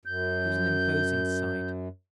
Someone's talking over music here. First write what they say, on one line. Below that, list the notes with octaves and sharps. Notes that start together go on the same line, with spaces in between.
It was an imposing sight.
F#2 G6